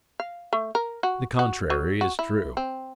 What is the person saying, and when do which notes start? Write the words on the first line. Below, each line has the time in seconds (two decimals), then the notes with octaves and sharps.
The contrary is true.
0.20 F5
0.53 A3
0.75 A#4
1.03 F#4
1.39 F#4
1.70 F#3
2.01 F#4
2.19 E4
2.57 C4